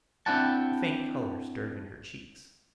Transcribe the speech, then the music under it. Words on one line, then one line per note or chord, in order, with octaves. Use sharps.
A faint colour stirred in her cheeks.
C4 D4 E4 G4 F#5 A5